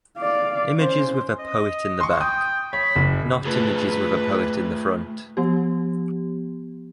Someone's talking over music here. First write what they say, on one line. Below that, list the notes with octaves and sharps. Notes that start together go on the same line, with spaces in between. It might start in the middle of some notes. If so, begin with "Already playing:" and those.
Images with a poet in the back, not images with a poet in the front.
D5 F5
C#4 C5
D#5
C6 C#6
G5 D#6
C#5 B5
F#1
A3 F4 G#4 B4
F3 B3 G4